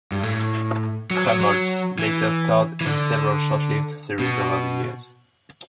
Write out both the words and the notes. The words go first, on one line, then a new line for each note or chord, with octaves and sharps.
Krumholtz later starred in several short-lived series over the years.
G2
A2
F#3
F#3
F#3
E3
E3
D3
B2